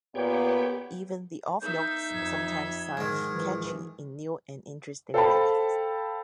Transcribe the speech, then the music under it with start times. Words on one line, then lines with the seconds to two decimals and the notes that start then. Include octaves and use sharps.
Even the off notes sometimes sound catchy in new and interesting ways.
0.15 A#2 B3 G4 C#5 G5
1.61 D#4 E5 G6
2.13 F2 G#6
2.97 G#2 D#3
3.32 E3 F3
5.14 A4 C5 F5 G5 A5 B5